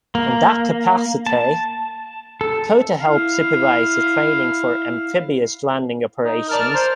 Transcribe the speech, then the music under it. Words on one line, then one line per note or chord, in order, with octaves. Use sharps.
In that capacity, Cota helped supervise the training for amphibious landing operations.
A#3
A5
A4
E4 F5
D#4
A#4 D5 A5 F6
C5